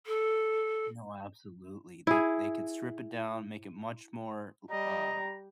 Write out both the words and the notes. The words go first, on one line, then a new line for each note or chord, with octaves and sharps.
No, absolutely. They they could strip it down, make it much more l uh,
A4
E4 G#4
G3 D#5 A#5